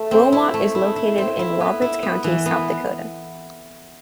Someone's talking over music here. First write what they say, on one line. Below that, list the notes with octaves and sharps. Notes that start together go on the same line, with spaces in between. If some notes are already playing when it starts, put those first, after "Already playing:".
Wilmot is located in Roberts County, South Dakota.
Already playing: A3
C4
E4
A3
E4
E4
C4
E4
B3
E4
B3
E3
B3